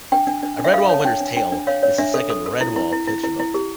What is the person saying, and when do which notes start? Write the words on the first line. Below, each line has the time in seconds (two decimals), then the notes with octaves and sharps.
"A Redwall Winter's Tale" is the second "Redwall" picture book.
0.12 D4 G5
0.27 D4
0.43 D4
0.59 D4
0.64 E5
0.74 A4 F5
0.89 C#5 A5
1.05 D4 G5
1.21 D4
1.36 D4 G5
1.52 D4
1.67 C#5 F5
1.83 C#5
1.98 D4 E5
2.14 A4
2.30 A4
2.46 A4
2.61 E4
2.76 E4
2.93 E4
3.07 E4
3.24 E4
3.40 E4
3.54 G4